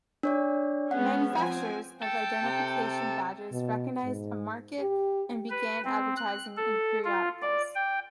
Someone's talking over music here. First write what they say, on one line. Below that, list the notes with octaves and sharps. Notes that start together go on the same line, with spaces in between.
Manufacturers of identification badges recognized a market and began advertising in periodicals.
D4 C#5 D5
G#3 B3 C#4 F#5
F3 C4 G#5
A4 G5
C3
B2
G#2
G4
B4
C4
F#6
A4
F4
D5
G5